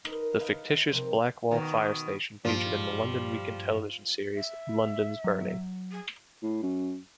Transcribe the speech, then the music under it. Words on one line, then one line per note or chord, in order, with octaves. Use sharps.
The fictitious Blackwall Fire Station featured in the London Weekend Television series "London's Burning".
D#4 A#4 B4
B4 D#5 F5
C3 F3 A#4 C5
B2 D#3
G2 A#2 F3 G3
E5
F#3
G#4
A2
F#2